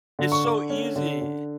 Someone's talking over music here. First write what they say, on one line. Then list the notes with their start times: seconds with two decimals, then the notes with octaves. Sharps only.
It's so easy.
0.19 D3
0.32 C#6
0.45 D3
0.70 C#4
0.96 D3
1.21 D3